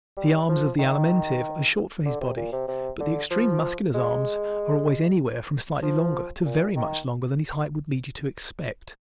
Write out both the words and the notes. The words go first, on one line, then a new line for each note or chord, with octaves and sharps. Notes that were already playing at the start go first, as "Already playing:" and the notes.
The arms of the Alimentive are short for his body but the extreme Muscular's arms are always anywhere from slightly longer to very much longer than his height would lead you to expect.
G3
F3
D#3
D3
C3
A#2
C3
C3
D3
F3
G#3
F3
A#2
D#3